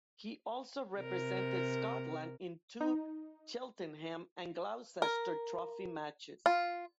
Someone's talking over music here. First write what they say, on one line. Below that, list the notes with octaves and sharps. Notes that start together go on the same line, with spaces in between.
He also represented Scotland in two Cheltenham and Gloucester Trophy matches.
C3 A#4
D#4
A#4
F4